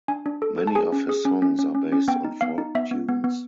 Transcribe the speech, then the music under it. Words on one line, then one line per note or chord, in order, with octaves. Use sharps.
Many of his songs are based on folk tunes.
D4 G#5
D4
A4
A4
A5
G#4 G#5
C#4
G#4
C#4
C#4
C#4
C#4
C#4
B3 G5
D#4
B3 F5
D#4
B3 E5
B3
B3
B3